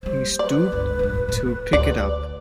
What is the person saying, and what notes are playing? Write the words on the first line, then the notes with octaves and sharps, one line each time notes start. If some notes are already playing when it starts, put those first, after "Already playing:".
He stooped to pick it up.
G3 A#3 C5
B4 D5
G1 C#2
D#1 G2
A2
D2 D5